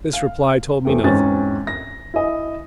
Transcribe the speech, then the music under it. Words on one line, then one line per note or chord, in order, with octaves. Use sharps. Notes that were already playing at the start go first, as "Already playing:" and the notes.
This reply told me nothing.
F5
E2 A3 C4
E2 G#2 C4 C#4 A6
A#6
E4 D#5